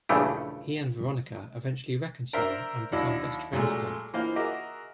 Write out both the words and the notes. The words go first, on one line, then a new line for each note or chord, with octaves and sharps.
He and Veronica eventually reconcile and become best friends again.
A#1 G2 C#3 E3 A3 G4
A#4 C5 D5 E5
D#2 F#3 D4 E4 D#5
A#2 F#3 G#3 A3
E3 A#3 F4 C5 D#5 F5
F#4 G#4 A#4 D#5 E5 D6